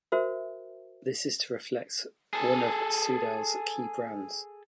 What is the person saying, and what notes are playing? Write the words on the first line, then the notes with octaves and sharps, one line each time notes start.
This is to reflect one of Soudal's key brands.
F#4 A#4 C5 E5
G#4 A4